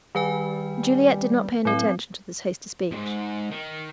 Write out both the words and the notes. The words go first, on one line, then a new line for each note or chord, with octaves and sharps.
Juliet did not pay attention to this hasty speech.
D#3 G3 B4 G#5
A2 F#3 C4
F2 G#2
D#3